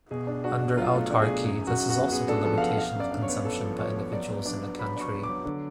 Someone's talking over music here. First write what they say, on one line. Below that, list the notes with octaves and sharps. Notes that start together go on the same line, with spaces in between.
Under autarky this is also the limitation of consumption by individuals in the country.
B2 G#4
D4
D4 F#4
B2
F#3 F4
A3
D4
G#4
B2
F#2 G#4
F#2
F#4
F#2
B3 F#4
B3 G#4
D4 A4
F3 A4
F5
B3 F#5
B3 F5
F#2 D5
D4
C#5
B3
D4 A4
F3
F3 C#5
B3
F#3 D5
B3
D4 D5
B3
F#3 B5
D4
C#6
B3
D6
F#3
D3